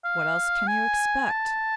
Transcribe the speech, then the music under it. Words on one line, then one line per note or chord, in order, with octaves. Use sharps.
'What else can you expect?'
F5
G#5
A5